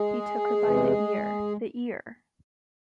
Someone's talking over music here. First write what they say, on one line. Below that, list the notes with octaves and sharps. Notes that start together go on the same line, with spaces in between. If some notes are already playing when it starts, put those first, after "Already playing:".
He took her by the ear, the ear!
Already playing: G#3 G#4
E2 C3 E3